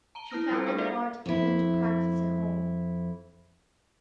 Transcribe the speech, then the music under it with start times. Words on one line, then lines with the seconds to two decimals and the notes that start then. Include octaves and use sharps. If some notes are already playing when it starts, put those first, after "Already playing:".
She found it hard even to practice at home.
0.15 A5 A#5 G7
0.31 E4 A5 D#6 F6 A#6
0.51 G3 C4 F4 A4 B4 C5
0.66 A3 D4 G#4 A#4 G5
0.78 F4 A4 C5 D5 E5 F5
1.26 F2 E4